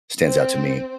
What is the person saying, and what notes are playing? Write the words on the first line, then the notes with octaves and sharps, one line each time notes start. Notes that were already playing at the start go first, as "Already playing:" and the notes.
stands out to me.
C4